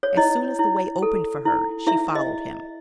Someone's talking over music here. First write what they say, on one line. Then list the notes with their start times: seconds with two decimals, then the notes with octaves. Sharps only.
As soon as the way opened for her, she followed him.
0.03 C#5
0.17 E4 D#5
0.59 E4
1.02 A4
1.45 E4
1.87 E4 E5
2.15 D#5